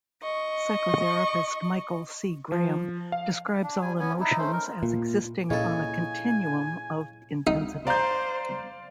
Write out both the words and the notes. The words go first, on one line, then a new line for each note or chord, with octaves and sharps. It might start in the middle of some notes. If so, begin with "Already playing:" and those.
Psychotherapist Michael C. Graham describes all emotions as existing on a continuum of intensity.
D#5 C#6
F3
F5
D4
G3 G#5
B3 C#4 G#5
D#4 E4
A3 C#4 C5
D#4 A#4
A#2
A#2 C#3 E4 A4 D#5 G#5
D#4
C5 D5 F5 A#5 G6